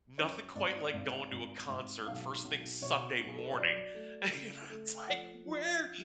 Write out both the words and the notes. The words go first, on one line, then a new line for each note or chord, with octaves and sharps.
Nothing quite like going to a concert first thing Sunday morning, and you know it's like, "Where"
F#2 C#5
G#1 D5
G#1
G#1
G#1
B1 F5
B1
B2 C#5
B1
G#4
A4
B4
C#5
F#3 D5
A3
C#3
A3
F3 F#5
F3